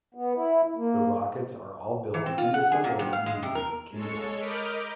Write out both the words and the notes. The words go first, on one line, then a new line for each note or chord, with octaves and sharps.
The rockets are all built and assembled in the United Kingdom.
B3
E4
A#3
E3
C4
F4
F#5
G#4
A#2
G2
F5
G#3
C3
A#4
G#3 A4 C#5
A#4 D#5 B5 D6 F6 G6